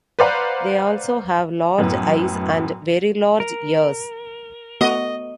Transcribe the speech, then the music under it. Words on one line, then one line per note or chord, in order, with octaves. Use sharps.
They also have large eyes and very large ears.
B4 C5 D5 F5 F#5 A#5
F#2 A2 B3
A#4
A3 B3 F#4 D#5